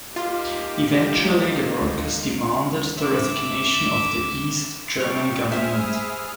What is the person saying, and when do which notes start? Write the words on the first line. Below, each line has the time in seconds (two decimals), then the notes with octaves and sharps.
Eventually, the workers demanded the resignation of the East German government.
0.16 A#3 D#4 F4 G4
2.97 E5 D6
5.00 F3 G3 C#5
5.52 E4 G#4 C5 E5 D#6 F6